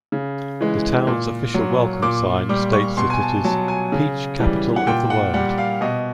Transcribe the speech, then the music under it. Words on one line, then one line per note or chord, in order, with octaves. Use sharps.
The town's official welcome sign states that it is "Peach Capital of the World".
C#3
E3 G#3
A#2
F#3
A#2 D6
G3 D6
C#6
B2 C6
G#5
A5
F#3 A5
G#5
C#3
E3 G3
F#5
A#2 G5
F#5
G3 F#5
F5
B2 D#5